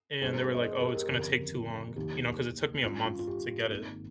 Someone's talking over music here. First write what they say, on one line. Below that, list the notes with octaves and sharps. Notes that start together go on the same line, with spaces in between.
and they were like, "Oh, it's gonna take too long," you know, 'cause it took me a month to get it,
G2 G3 A#3 C#4 G#4 C5
G#4 C5
C5 D#5
G#4 C5
G4 A#4
G4 A#4
G1 F2 C#3 F3
F1 D#2 D#3 A#3 G4
G2 G3 C#4 F4
F4
F4
G4
G#1 G#2 D#3 A#3